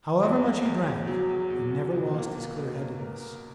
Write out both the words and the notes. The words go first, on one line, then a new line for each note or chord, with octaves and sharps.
However much he drank, he never lost his clearheadedness.
E2
E2
E2
E2
F#3
E2
E2
E2
B2
A#3
A#3
B2
A#3
A#4
A#4